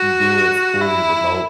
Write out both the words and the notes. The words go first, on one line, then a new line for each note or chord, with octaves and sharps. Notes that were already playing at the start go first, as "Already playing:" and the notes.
do it fully remote.
Already playing: F#4
E4